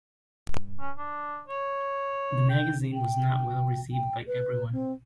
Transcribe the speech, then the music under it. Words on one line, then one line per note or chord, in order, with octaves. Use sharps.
The magazine was not well received by everyone.
C#4
D4
C#5
G5
G5
G5
B4
C4